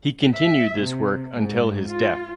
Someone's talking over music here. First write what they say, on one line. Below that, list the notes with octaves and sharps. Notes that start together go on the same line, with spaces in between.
He continued this work until his death.
E5
C3
G#2
F4